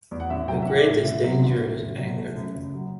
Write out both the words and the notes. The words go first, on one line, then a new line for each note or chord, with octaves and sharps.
The greatest danger is anger.
E2
F#5
A1 E5
F#3 G5
E5
A1 F#5
D5
A2 E5
A1 E5
F#3
A1
A2
F#1
F#3
A3
F#2
F#1
F#3